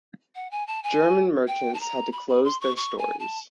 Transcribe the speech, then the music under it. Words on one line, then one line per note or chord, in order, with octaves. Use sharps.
German merchants had to close their stores.
F#5
G#5
A5
G#5
G5
A5
A#5
B5
B5
C6
C#6
C#6
G#5
A5